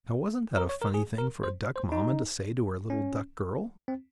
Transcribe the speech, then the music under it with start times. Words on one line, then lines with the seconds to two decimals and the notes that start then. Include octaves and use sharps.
Now wasn't that a funny thing for a duck mamma to say to her little duck girl?
0.58 A#4
0.69 C#5
0.82 A#4
0.94 G#4
1.18 A#4
1.43 C5
1.76 C5
1.92 D#4
2.90 C#4
3.88 C4